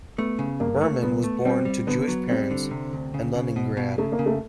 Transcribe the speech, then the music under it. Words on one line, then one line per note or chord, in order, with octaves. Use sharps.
Berman was born to Jewish parents in Leningrad.
A3 B3
C#3
G2 A#3
A3
C2 B3
A3
G3 C4
G3
D3 B3
F#3
G3 C4
D3
C3
D2
C#3
C#3
B2
B2
C#3 A3
A#3
C#3
A3